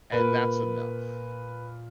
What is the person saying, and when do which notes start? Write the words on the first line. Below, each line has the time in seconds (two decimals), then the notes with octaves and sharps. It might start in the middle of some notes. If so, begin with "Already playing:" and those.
and that's enough.
0.12 A#2 A#3 B4